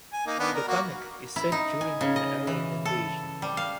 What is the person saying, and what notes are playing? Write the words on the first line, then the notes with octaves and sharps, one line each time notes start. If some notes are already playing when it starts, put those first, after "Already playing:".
The comic is set during an alien invasion.
G#5
A#3 D#4
D#3 B3 D4
A#4
A#3 F#4
E4
D#4
G#5
C#3
D#5
E3
A4
G3
F5